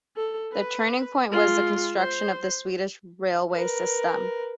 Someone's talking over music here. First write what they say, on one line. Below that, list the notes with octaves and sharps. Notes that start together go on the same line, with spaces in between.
The turning point was the construction of the Swedish railway system.
A4
B4
G#3 F4
C5
A#4 B4